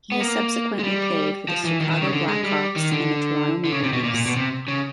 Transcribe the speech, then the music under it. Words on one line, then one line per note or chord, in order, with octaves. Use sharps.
He has subsequently played for the Chicago Blackhawks and the Toronto Maple Leafs.
B3
A#3
G#3
G3
F3
E3
D#3
D#3
C#3
D3
G#3
G3
D#3
D3
D3
C#3
C3
B2
A#2
A#2
B2
C3
C#3